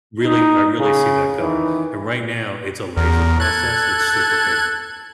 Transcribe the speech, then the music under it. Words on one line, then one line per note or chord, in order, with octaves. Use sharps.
really I really see that coming. And right now it's a laser process that's super painful.
D#4
C#3
D#3 E3
E2 A#4
A4 F#6 G#6